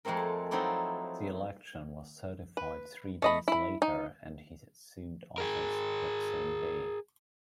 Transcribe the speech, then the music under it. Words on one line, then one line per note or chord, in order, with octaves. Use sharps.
The election was certified three days later and he assumed office that same day.
F2 G#3 A3 C4 A#4
F3 F#3 C4 D#4 E4 D5
B4
A3 D#5 B5
E4 B5
D#4
G#4 A#4